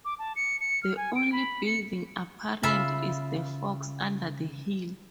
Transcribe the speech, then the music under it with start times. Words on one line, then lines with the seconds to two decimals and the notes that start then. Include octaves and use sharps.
The only building apparent is the "Fox under the Hill".
0.05 D6
0.19 A5
0.36 C#7
0.60 C#7
0.83 F6
0.97 G#5
1.15 D7
1.32 B5
1.66 C#7
2.63 C#3 F4 E5 B5